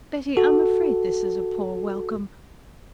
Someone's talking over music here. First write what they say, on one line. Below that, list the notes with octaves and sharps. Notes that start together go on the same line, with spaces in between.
Betty, I'm afraid this is a poor welcome.
F#4 A4